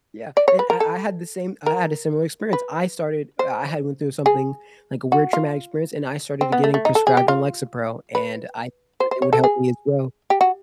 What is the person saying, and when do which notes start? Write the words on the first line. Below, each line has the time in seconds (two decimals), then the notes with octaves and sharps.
Yeah, and I I had the same I had a similar experience. I started I had went through something, like, a weird traumatic experience, and I started getting prescribed on Lexapro, and I thought it would help me as well,
0.37 D5
0.48 C#5
0.59 B4
0.70 A#4
0.80 A4
1.66 A#4
2.53 B4
3.39 C5
4.26 G#4
5.12 F#4
5.33 F4
6.41 C4
6.52 B3
6.64 A3
6.74 A3
6.85 D#4
6.95 A4
7.07 G#4
7.17 G4
7.28 F4
8.15 B4
9.00 C5
9.11 C5
9.22 C#5
9.33 A4
9.44 G#4
10.30 G4
10.41 F#4